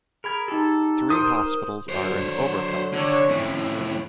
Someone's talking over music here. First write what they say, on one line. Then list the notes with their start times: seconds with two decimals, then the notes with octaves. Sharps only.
Three hospitals are in Overpelt.
0.24 G#4 A#4 B5 G#6
0.48 D#4 G4 A4
1.10 A#4 C5 D#6
1.89 D3 F#3 C5 C#5
2.93 G2 D3 D4 C#5
3.29 F2 A2 C#4